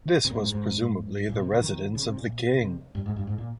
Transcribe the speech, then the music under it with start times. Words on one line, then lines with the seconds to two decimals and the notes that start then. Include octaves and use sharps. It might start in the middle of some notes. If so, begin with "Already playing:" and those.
This was presumably the residence of the king.
0.25 C3
0.31 A#2
0.41 G#2
0.52 G#2
1.29 A#2
1.40 C3
1.51 C#3
1.62 D#3
1.95 C#3
2.06 C3
2.17 A#2
2.61 C3
2.95 G2
3.06 G#2
3.16 G2
3.27 G#2
3.38 A#2